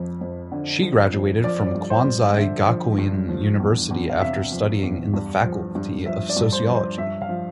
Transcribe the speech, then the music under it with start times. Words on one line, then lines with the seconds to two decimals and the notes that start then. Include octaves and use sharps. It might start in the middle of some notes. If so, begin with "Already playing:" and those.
She graduated from Kwansei Gakuin University after studying in the Faculty of Sociology.
Already playing: F2 F3
0.21 F2
0.52 D3
0.82 F3
1.13 F2
1.44 F3 D5
1.67 D5
1.75 G2
1.90 C5
2.06 G2
2.37 D3 E5
2.67 F3
2.98 G2
3.29 F3
3.60 E2
3.91 E2
4.10 F5
4.21 C3 E5
4.52 F3
4.83 E2
5.14 G2
5.44 F3
5.75 G2
6.06 F3 E5
6.29 D5
6.37 G2
6.53 C5
6.68 F3
6.75 C5
6.98 G2 E5
7.22 F5
7.29 F3